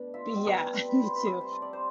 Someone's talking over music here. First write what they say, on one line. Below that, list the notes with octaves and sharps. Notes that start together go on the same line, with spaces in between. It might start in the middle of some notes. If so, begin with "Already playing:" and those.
Yeah, me too
Already playing: B2 A3 D4
F4 E5
B2 G5
G3 A5
C4
B4
E4 C5
C3 B4
G3 C5
A4
C4 D5
C5